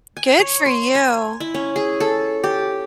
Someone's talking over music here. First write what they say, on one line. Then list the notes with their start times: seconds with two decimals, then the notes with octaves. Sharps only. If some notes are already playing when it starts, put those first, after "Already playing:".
Good for you.
0.17 G#5
0.39 C#5
0.66 C6
0.95 G#5
1.40 E4
1.54 C#4
1.76 G#4
2.00 A4
2.44 G4